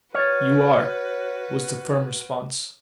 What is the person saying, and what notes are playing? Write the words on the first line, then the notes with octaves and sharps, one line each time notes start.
"You are," was the firm response.
F#4 B4 C#5 F6 G#6 A6